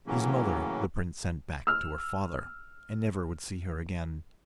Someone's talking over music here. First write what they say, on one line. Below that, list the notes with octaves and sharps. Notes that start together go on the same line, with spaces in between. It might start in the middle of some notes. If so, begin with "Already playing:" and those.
His mother the prince sent back to her father, and never would see her again.
A2 C#3 E3 F#3 A#3 C#4
E6 F6